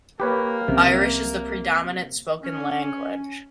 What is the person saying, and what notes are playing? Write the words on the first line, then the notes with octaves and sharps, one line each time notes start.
Irish is the predominant spoken language.
A#3 G4 B4 C#5
C2 C3 F3 C#4
C#4